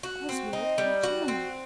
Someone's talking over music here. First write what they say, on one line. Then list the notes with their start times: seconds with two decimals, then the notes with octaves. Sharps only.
Oswald and Challoner!
0.03 F#4
0.29 C4
0.53 D#4
0.78 G3
1.03 F#4
1.28 C4